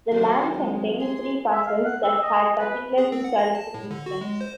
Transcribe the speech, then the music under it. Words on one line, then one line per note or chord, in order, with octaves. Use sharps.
The land contained three parcels that had particular historic significance.
D#3 F#3 D4 G#4 A#4 C5
G#3 C4
G#4 C6
E5
F5
F#5
E6
D#5
B4
G#4
C4
F#5
A#6
A5
A2
D3
F#4
G#3
C5